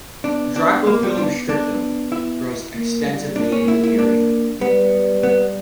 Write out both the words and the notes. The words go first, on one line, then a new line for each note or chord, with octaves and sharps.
Dracophyllum strictum grows extensively in the area.
B3 D4
D4
A#3
G3
D4
D4
E4
A#3
G3
A#3 D4
C#4
E4
E4
D4
G3 B3
B3